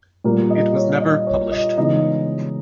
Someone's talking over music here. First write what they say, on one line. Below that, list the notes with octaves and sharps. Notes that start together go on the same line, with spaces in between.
It was never published.
A#2 G3 A#3
D#5
C#5
D#5
C#5
D#5
C#3 E3 G#3 B3 D#4 D#5